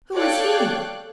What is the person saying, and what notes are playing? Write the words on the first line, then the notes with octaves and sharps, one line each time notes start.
'Who is he?
A4 C#5 D5 F5 G5 F#6